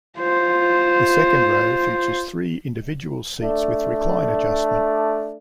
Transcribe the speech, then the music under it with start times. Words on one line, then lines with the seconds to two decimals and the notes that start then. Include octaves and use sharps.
The second row features three individual seats with recline adjustment.
0.19 F4 C5
3.41 A3 D4